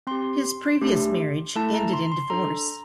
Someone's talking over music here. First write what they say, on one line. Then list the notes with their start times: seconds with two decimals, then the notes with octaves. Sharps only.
His previous marriage ended in divorce.
0.07 C4 G4 C6
0.81 A3 D4 G4
1.56 A3 E4 A4 A5
1.74 A#5
1.93 C6
2.12 C6
2.30 D4 A4 A#5